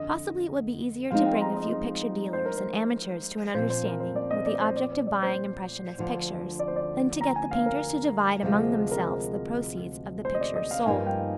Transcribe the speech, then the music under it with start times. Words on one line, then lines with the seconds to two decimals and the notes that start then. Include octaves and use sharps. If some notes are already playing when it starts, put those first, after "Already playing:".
Possibly it would be easier to bring a few picture-dealers and amateurs to an understanding with the object of buying impressionist pictures, than to get the painters to divide among themselves the proceeds of the pictures sold.
Already playing: F2 D3 D#5
1.11 F3 G#3 C4 D#4 F5
1.26 G5
1.34 C6
1.41 A#5
1.57 D#5
2.33 C5
2.46 A#4
2.57 C5
3.54 A#2 F3 C4 C5
3.70 C5
3.85 A#4
4.00 C5
4.16 D5
4.31 D#5
4.46 D5
4.61 C5
4.77 D5
4.92 C5
5.07 D5
5.23 C5
5.98 D2 D3 F3
6.59 D5
6.68 C5
6.76 D5
7.21 A#5
7.36 G#5
7.51 F5
7.66 A#4
8.42 D2 C3 F3 G#3
8.92 A#4
9.03 C5
10.25 C5
10.34 D#5
10.41 D5
10.55 D#5
10.71 F5
10.86 G2 F3 A#3 D#4 G#5
11.06 G5